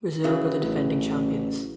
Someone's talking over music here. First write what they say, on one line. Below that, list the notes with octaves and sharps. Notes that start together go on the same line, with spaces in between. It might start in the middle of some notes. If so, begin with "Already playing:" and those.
Brazil were the defending champions.
C#3 E3 F#3
A1